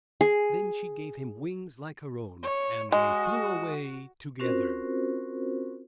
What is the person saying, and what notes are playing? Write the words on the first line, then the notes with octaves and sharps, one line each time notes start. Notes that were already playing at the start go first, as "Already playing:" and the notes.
Then she gave him wings like her own, and they flew away together.
G#4
C#5
G#3 F#4
C4 C#4 F4 F#4 A#4 C5